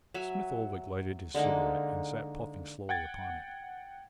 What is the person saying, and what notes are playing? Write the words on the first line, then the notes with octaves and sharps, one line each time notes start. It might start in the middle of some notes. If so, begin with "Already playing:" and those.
Smith-Oldwick lighted his cigarette and sat puffing slowly upon it.
F#3 E5 G#5
D3 G#3 A#3 D#4
F#5 G5 G#6 A6